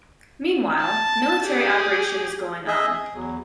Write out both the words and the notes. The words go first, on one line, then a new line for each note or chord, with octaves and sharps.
Meanwhile, military operation is going on.
A5
G4 G#4
G#4 D#5 E5
G#4
E2 F#3